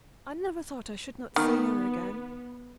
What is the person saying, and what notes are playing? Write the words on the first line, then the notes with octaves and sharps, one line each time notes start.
I never thought I should not see her again.'
D#3 B3